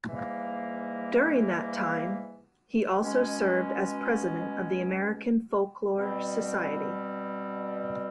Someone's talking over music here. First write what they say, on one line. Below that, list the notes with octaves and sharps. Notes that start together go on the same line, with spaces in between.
During that time, he also served as president of the American Folklore Society.
G#2 E3 G3 A#3
B2 G#3 C#4
B2 G3 C4